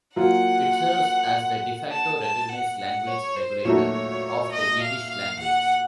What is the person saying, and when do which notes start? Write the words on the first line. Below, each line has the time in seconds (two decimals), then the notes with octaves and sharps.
It serves as the "de facto" recognized language regulator of the Yiddish language.
0.16 F#3 A#3 F4 F#5
1.91 A5
2.20 A5
2.49 F#5
2.78 F#5
3.07 C#5
3.36 C5
3.65 A#2 F#3 A3 D#4 F#4 C#5
4.52 D#5
4.82 F5
5.10 F5
5.40 F#5